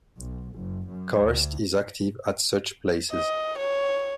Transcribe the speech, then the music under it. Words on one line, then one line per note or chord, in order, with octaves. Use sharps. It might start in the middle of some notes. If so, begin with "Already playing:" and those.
Karst is active at such places.
B1
F#1
F#2
D2
D#5
C#5